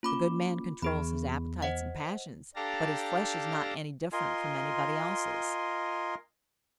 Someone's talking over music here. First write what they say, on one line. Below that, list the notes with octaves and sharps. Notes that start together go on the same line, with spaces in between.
The good man controls his appetites and passions, but his flesh is not any different from anybody else's.
A#3 C#4 F4 B5 D6
E2 B3 G#4 B5
C5 D#5 F#5
D4 G4 A4 F5 A5 A#5
F4 A#4 D#5 G#5 C6